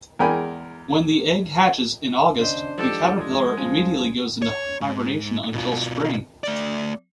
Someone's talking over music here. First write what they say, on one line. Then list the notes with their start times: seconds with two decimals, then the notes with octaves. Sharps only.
When the egg hatches in August, the caterpillar immediately goes into hibernation until spring.
0.19 E2 G#3 A#4 G5 G#5 B5
2.39 D#2 C#3 D4 C5 D#5
2.78 G#2 F3 G4 A4
3.17 G#3
3.57 F3 G3 C#4 G#5
4.42 C#5
4.81 G#2
5.53 B2 F4
6.44 A3 D5